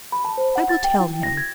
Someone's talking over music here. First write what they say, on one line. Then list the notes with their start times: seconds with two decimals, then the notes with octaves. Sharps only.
"I will tell him."
0.12 B5
0.25 A5
0.37 C5
0.55 F#5
0.69 A6
0.84 G5
1.00 E4
1.23 A#6
1.37 G#6